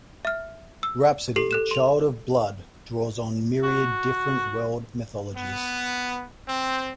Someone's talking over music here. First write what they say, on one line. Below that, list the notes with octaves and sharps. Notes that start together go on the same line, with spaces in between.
"Rhapsody: Child of Blood" draws on myriad different world mythologies.
E5 F6
E6
G4 A4 C7 F#7
A4 F#6 E7
C6 F7
F#4
B3
C4